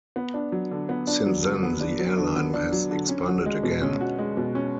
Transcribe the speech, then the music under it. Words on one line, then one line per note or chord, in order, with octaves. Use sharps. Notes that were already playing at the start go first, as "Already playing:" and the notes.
Since then the airline has expanded again.
B3
D4
F#3
D3
B3
D4
F#3
D3
B3
D4
F#3
D3
B3
D4
F#3
D3
C#4
F#4
G#3
B2
C#4
F#4
G#3
B2
C#4